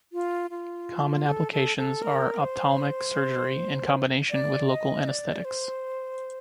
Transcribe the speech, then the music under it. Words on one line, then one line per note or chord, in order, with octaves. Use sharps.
Common applications are ophthalmic surgery, in combination with local anesthetics.
F4
F4
A4
A4
A4
A#4
C5
D5
D#5
D5
C5